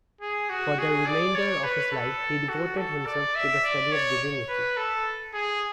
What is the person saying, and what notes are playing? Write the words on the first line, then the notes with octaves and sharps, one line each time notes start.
For the remainder of his life he devoted himself to the study of divinity.
G#4
F#4
G#4
D5
C#5
B4
A4
F#4
A4
D5
E5
D5
C#5
B4
A4
G#4